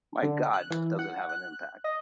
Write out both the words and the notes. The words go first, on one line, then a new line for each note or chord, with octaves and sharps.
my god, does it have an impact.
D3
F#6
E3
F#5
F#6
D#5